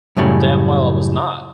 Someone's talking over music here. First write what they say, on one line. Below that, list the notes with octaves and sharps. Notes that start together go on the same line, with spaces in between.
damn well I was not.
F#2 A2 C#3 G3